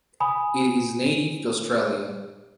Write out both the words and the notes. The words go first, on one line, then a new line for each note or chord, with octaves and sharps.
It is native to Australia.
G#5 B5 D#6